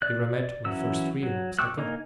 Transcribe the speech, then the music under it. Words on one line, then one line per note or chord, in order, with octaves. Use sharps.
Here I met my first real obstacle.
D5 F#6
E3 F#3 C#4 E6
F#3
G5 C#6 D6 E6 F#6
A#3 D#4 A#4 G#5